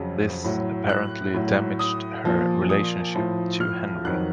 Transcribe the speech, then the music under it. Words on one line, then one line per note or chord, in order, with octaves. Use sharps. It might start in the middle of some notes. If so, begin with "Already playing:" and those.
This apparently damaged her relationship to Henry.
Already playing: F2 C#3 F#3
A2 F#3
F#6
A2 F#3
D#6
A#2 F3
D#6
A2 F3
F6
F2 D#3 F#3 F#6